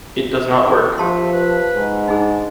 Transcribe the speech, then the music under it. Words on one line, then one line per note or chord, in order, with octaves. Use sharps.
It does not work.
G#4 A4
F3 G4 E5 A5 C6
B4
G#2
D4 D#4 G#4